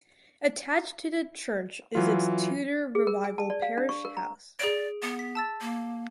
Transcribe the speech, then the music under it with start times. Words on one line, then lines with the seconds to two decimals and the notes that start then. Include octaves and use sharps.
Attached to the church is its Tudor Revival parish house.
1.95 E3 F#3 F4
2.95 G#4
3.07 A#4
3.24 G#5
3.38 A5
3.50 D5
3.62 F5
3.78 D4
3.89 C#6
4.05 A#4
4.17 A#5
4.60 G#4 D5 D7
5.02 B3
5.19 B6
5.35 A5 E6 A6
5.61 A#3